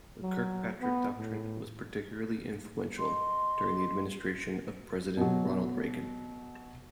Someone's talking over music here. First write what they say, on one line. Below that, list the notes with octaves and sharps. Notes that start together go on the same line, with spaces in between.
The Kirkpatrick Doctrine was particularly influential during the administration of President Ronald Reagan.
F#3
B3
A2
D#5 C6
B2 F#3